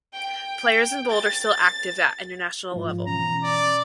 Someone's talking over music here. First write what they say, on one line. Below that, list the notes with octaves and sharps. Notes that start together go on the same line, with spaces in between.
Players in bold are still active at international level.
G5
A6
G#2 F3 F4
B2 E3 C#4 A#5
D5